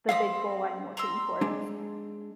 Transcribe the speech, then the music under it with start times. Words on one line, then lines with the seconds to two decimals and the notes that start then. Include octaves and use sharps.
the big goal I'm working towards.
0.09 C4 F5 B5 D#6
0.97 A#5 C6 E6
1.41 G#3 D4